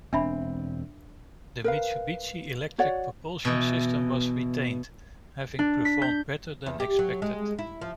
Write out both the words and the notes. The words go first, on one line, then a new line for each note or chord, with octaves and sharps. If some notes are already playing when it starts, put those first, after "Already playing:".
The Mitsubishi Electric propulsion system was retained, having performed better than expected.
E1 C4 D4 E5 B5
A#4 B4 F5
F#4 C#5 D5 F#5
B2 E3
D4
B6
G6
E2
G4
F#3
G#3
E4
F3